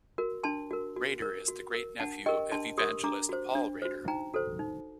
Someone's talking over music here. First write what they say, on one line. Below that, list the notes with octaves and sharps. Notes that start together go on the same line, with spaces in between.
Rader is the great-nephew of evangelist Paul Rader.
F#4 A#4
D4 A5 C6
F#4 A#4
F#4
A#4
F#4
A#4
D4 F#5 A5
G4 A#4 D#5 G5
D4 A5 C6
G4 A#4 C6 D#6
D4 A#5 D6
F#4 C5
D4
F#4 C5
D#4 G5 A#5
F#4 A4 C5
D#4